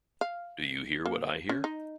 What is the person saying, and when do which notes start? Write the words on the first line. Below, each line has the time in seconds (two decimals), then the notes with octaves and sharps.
Do You Hear What I Hear?
0.21 F5
1.06 A#3
1.49 C#4
1.64 D#4